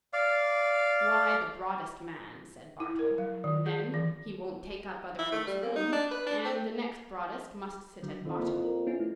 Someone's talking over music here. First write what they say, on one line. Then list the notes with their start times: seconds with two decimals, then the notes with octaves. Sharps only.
"Why, the broadest man," said Bartle; "and then he won't take up other folks' room; and the next broadest must sit at bottom."
0.13 D5 F5
2.80 E4
2.99 A#4
3.18 F#3
3.44 D#3
3.66 G#4
3.94 E3
5.19 E4
5.32 A3
5.47 G3
5.63 A#3
5.76 D#4
5.93 D4
6.11 B4
6.26 D4
6.45 C4
8.03 D3 F#3
8.25 F2 D3 D#3
8.39 A#3 E4
8.64 A#4
8.87 B3 C#4 E4
9.00 A3